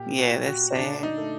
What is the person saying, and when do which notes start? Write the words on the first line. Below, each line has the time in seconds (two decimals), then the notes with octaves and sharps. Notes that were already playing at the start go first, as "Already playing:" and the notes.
Yeah, that's sad.
Already playing: A#2 G4
0.18 F#4
0.32 A#2
0.46 F#4
0.75 D3 D4
1.03 D#4
1.18 A3